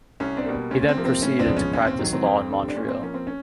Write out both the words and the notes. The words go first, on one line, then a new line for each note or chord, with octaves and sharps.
He then proceeded to practice law in Montreal.
C2 C#4
C4 D4
B2 G3 A#3
D2 C#4
C4
C3 F3 A#3
C4
A2 C#4
C4 D4
F3 G#3 B3
C#4
D#2 C#4
C4
D#3 F#3
C4
F2
D3 G3
D4
A#2 C#4
C4
F3 A#3 C#4
C4
C#4